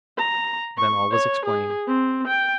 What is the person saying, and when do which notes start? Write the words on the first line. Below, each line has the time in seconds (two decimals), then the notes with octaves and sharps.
Then all was explained.
0.18 A#5
0.77 C#6
1.12 C#5
1.45 G#4
1.88 C4
2.28 G5